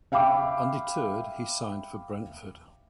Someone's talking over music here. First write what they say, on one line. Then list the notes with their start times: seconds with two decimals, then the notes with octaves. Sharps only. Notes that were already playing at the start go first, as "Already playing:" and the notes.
Undeterred, he signed for Brentford.
0.12 E5 F5 G5 B5 D6